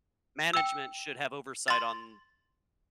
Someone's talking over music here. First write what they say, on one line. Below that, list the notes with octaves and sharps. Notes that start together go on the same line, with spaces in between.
Management should have oversight on
G5 E6
C6 A6